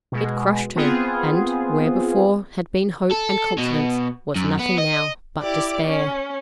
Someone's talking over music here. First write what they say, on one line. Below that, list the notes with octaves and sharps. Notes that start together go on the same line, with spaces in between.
It crushed her, and, where before had been hope and confidence, was nothing now but despair.
B2 G#3
B3 C4 F4 G#4
A4
B2
F#2
B3
D#5
E4 G4 D5
C#4